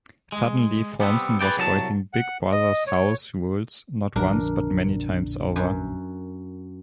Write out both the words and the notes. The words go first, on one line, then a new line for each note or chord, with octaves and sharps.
Suddenly, Franzen was breaking Big Brother's house rules, not once, but many times over.
G#3
G3 B3 C4
G#4 B4 D5 G5
C2 F#3 D#5 A5
F#5
D#5
C#5
A#1 F2 D3 D4 A#4
F#2